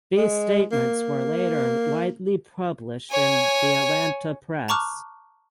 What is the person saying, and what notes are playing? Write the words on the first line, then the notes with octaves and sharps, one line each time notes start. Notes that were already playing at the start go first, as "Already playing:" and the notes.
These statements were later widely published in the Atlanta press.
G#3
A#3
C#5 G#5
A5 A#5 C#6 D6 F6 F#6